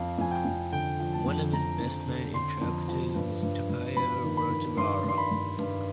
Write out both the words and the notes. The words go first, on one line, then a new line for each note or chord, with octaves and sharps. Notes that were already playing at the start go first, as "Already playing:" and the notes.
One of his best-known interpreters was Tapio Rautavaara.
Already playing: F2 F5
F2 G#5
G5
F2
D3 G5
F3
A5
F2
F2 A#5
F2
D3
D3 C6
F2
F3
G2
G2
G2
G2 B5
D#3
B5
D#3
G2 C6
G2 C6
B5
G2
G2